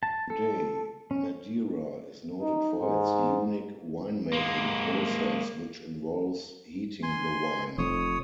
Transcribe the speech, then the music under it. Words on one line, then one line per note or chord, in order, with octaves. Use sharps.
Today, Madeira is noted for its unique winemaking process which involves heating the wine.
A5
A4
C#4
D#4
G#2
G#3 A#3
G#5 C6
F1 F2 C#5 D#6